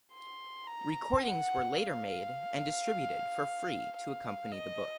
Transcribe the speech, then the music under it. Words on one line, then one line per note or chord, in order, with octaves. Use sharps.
Recordings were later made and distributed for free to accompany the book.
C6
A#5
F#5
F5
F5
D#5